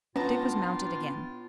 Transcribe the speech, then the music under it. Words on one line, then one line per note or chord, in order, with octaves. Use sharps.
Dick was mounted again.
A2 B3 C#4 D4 F4 A5 A#5